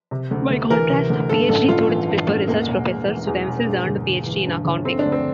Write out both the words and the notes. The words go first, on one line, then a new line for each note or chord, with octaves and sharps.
By contrast, PhD students prefer research professors who themselves earned a PhD in accounting.
C3
D2
D2
E3 A#4
C3
D2
G2 A4
A1 A4
A1 F4
E3
G2
A1
E2 A#3
E1
E1
E3
E2
E1
G2
G1
G1
E3
G2
G1
D3 C4
D4
D2
C4